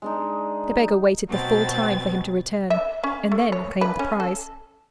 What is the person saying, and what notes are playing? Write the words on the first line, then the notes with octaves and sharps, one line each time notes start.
The beggar waited the full time for him to return; and then claimed the prize.
G#3 D4 D#4
B2 F#3 C4 A6
E5
C#4
A3
C#5
B4
C#4
A4